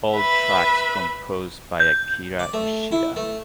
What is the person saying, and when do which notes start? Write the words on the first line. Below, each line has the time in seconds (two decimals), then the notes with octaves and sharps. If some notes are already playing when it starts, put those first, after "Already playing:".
All tracks composed by Akira Ishida.
0.14 B4 E5 B5
1.80 G6
2.39 D5
2.53 A3
2.92 E4
3.16 A3